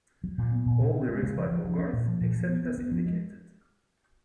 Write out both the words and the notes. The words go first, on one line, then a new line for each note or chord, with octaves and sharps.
All lyrics by Hogarth except as indicated.
F#3
A#2
B3
A#2
C#3
C#4
G#3
C#3
F3
F3
F3
C#4
A#2
F3
A#2
F3
B3
B3
B3
F3
G#3